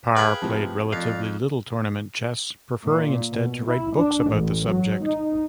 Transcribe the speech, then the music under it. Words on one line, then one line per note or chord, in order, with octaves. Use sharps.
Parr played relatively little tournament chess, preferring instead to write books about the subject.
G#4 B4 F5 G5 B5
A2 C3 F3
F2 D5 F5
A#2
B2
E4
D4
A1
F#3
D#4